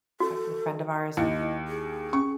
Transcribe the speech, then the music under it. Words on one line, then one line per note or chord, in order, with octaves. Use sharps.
the friend of ours
F#4 A4
D#2 E4 D#5
G#4
C#4 C#6